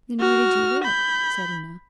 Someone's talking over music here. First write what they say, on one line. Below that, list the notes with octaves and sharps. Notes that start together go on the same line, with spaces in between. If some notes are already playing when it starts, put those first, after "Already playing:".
'Then where did you live?' said Una.
F#4 F6
B5 G6